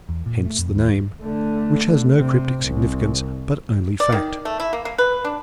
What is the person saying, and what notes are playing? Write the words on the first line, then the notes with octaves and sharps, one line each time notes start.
Hence the name, which has no cryptic significance, but only fact.
E2
A#2
A3
F2
D#2
D3 A3
C3
C2
D5
D#3
A3
E4
A#3
A#3
B4
D4